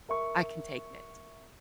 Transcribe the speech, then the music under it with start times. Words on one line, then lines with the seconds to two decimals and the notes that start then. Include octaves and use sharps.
I can take it.
0.09 A#4 E5 C#6